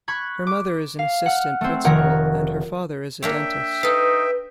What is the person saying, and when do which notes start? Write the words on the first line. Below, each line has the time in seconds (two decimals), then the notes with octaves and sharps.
Her mother is an assistant principal and her father is a dentist.
0.08 B5 C#6 F#6 G#6
0.47 D6
0.99 F5
1.26 F#5 F6
1.61 A3 C4
1.85 F1 D#3 A#4 C#5 F#5
3.22 A#3 D4 C#5 E5 G5
3.83 D#4 A4 B4 F5